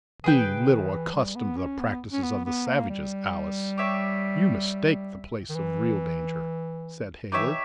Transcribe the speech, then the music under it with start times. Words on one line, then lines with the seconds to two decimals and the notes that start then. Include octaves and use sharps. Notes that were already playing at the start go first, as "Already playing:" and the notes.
"Being little accustomed to the practices of the savages, Alice, you mistake the place of real danger," said Heyward.
0.24 E3 G#4 B4 G5
0.47 C#3
0.68 D#3
0.91 E3
1.13 G3
1.35 B3
1.57 C#4
1.80 B3
2.12 C#4
2.23 B3
2.45 B3
2.67 A#3
2.89 G3
3.78 G4 C#5 E5
5.49 D#3
5.55 E3
7.32 E3 D#4 G4 C#5 E5